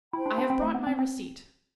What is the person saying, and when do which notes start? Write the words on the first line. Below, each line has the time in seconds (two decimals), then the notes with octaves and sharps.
"I have brought my receipt."
0.13 E4 G4 C5 G5 B5
0.26 D4
0.38 D4
0.50 C4
0.62 A3
0.75 B3
0.87 C4
0.99 C4